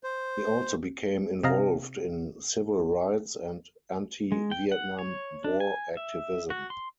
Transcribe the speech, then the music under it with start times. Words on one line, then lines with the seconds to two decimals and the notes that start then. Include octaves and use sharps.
He also became involved in civil-rights and anti-Vietnam War activism.
0.04 C5
1.43 C3 D#5 F5 A#5
4.32 G#3
4.51 G5
4.72 F#5
4.99 C#5
5.44 D4
5.60 G#5
5.97 E5
6.50 F#4
6.70 C6